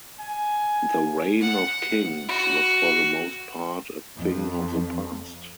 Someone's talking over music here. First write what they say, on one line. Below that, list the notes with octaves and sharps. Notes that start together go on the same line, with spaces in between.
The reign of kings was for the most part a thing of the past.
G#5
F#5
F#4
F2